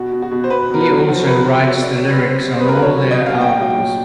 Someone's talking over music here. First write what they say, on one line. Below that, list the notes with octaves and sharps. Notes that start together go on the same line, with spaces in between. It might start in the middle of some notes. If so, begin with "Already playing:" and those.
He also writes the lyrics on all their albums.
Already playing: B2 F#4
B2
F#4
B2
C5
B2 B4
B2 A#4
B4
F#3
F3 F#4
A#4
C#3 B4
C#3 C5
B2 C#5
B2 D5
C#5
F#3
B4
C#3 C5
G3
C5
B4
G3 A#4
B4
F#3 C#5
F#3 C#5
D#5
F#3 F5
A#2 G5
F#3
G5
F#3